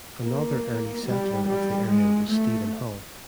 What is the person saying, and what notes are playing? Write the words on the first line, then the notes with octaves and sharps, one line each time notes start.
Another early settler of the area was Stephen Hull.
A#3
G3
G3
G#3
A3